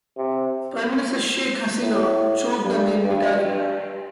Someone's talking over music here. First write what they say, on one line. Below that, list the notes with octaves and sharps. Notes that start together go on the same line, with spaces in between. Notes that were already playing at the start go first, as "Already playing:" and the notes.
Prime Minister Sheikh Hasina chose the name Mitali.
C3
A2
G2
G2
G2